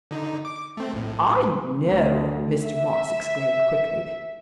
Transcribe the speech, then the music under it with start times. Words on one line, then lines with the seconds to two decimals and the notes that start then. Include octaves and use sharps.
"I know!" Mr. Moss exclaimed quickly.
0.11 D3 D#4
0.45 D6
0.77 A3 C4
0.93 A#1 A2
1.86 D2
2.65 E5